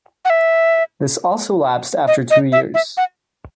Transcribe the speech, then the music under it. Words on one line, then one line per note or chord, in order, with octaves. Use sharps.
This also lapsed after two years.
F#5
E5
D#5
D#5
E5
E5
F#5